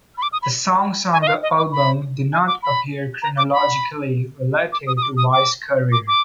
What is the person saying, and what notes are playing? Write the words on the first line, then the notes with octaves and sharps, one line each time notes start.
The songs on the album do not appear chronologically relative to Vai's career.
B5
D6
D#6
B5
G#5
D#5
F5
D#5
D6
B5
G#5
D6
B5
A#5
D6
B5
D6
D#6
D#6
D6
D#6
D6
D6
D6